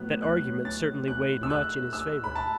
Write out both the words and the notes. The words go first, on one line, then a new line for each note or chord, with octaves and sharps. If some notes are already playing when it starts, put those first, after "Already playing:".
That argument certainly weighed much in his favor.
Already playing: A2 F#3 B3 F#6
F#6
A6
F#6
E6
F#6
E6
B5
A5